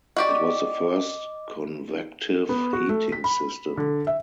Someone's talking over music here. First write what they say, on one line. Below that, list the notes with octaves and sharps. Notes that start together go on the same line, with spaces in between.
It was the first convective heating system.
F#4 G4 D5 D#5 D6
B3
F#4
A3
B6
B5
D3
E5